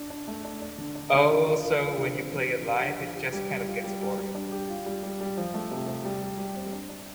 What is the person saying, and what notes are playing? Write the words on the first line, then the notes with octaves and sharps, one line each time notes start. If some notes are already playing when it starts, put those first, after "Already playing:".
Also, when you play it live, it just kind of gets boring.
Already playing: D4
D4
A3
D4
D4
D3
D4
D3
F4
F4
F4
F4
D3
C4
F3
C4
G4
D4
F3
G4
G3
G3
F4
G3
G3
G3
D4
G4
F4
G3
G3
G3
F3
A3
C3
C3
G3
G4
G3
C4
D4
D4